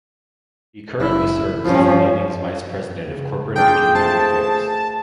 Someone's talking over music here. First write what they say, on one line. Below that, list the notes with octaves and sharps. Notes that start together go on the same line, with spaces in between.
He currently serves as the Lightning's Vice President of Corporate and Community Affairs.
F#1 E4
G2 F3 C#4
C#3
A#3 D4 F4 G#4 G5
A3 C5 A5